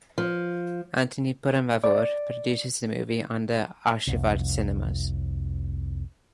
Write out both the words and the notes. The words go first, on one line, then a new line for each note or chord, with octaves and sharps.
Antony Perumbavoor produces the movie under Aashirvad Cinemas.
F3
D5
F1 C2